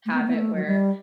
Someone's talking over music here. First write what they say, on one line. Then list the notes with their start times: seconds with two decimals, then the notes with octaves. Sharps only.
habit where
0.06 A3
0.13 B3
0.20 A3
0.28 B3
0.34 A3
0.55 F#3
0.65 G3